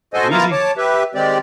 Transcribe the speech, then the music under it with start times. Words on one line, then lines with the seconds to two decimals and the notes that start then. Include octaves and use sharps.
Take it easy,
0.14 F#4 A4 C5 D#5 G#5
0.31 A#3 B3 E4 F4 A#4 A#5
0.52 C#5 A5 D6
0.77 G4 B4 E5
1.15 D#3 G#3 C4 G4 D5